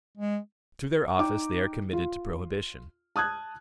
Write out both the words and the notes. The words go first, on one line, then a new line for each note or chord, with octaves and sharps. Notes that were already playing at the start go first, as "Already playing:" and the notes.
Through their office they are committed to prohibition.
G#3
D#4 G5 D6
F4
A5 D#6 F#6 G#6